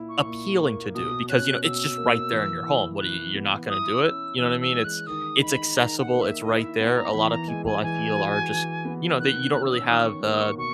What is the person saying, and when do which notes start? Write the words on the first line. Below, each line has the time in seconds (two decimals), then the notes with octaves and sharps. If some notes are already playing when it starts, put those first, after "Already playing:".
appealing to do because, you know, it's just right there in your home. W what are y you you're not gonna do it, you know what I mean? It's it's accessible it's right there, a lotta people I feel are just, you know that you don't really have, uh,
Already playing: A#2 E4
0.09 C#6
0.26 A#2
0.60 A#3
0.94 B2 D#6
1.28 C#4 F#6
1.64 B2 E6
1.97 A#3
2.32 E3
2.66 E4
3.00 E3 F#6
3.35 B3
3.69 E4 D#6
4.05 C#4 E6
4.38 E3 E6
4.61 E6
4.73 G#3
4.84 F#6
5.07 D#3 D#6
5.41 D#4 B5
5.75 D#3 A#5
5.98 F#5
6.10 A#3
6.21 E5
6.44 E4 D#5
6.62 E5
6.80 B3 F#5
6.96 A#5
7.13 E3 B5
7.31 A#5
7.48 G#3 G#5
7.66 G#5
7.82 E3 G#5
8.16 F#4
8.52 E3
8.85 B3
9.20 D#3 F#6
9.54 C#4 F#6
9.63 E6
9.71 D#6
9.78 E6
9.88 D#3 D#6
10.06 C#6
10.23 A#3
10.33 D#6
10.41 C#6
10.58 B2 C#6